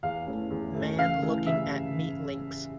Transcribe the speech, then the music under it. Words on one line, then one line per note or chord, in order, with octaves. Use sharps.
Man looking at meat links.
E2 F5
E3 A3 C#4
E2
E3 A3 C#4
C#3 F5
E3 A3
C#3 E5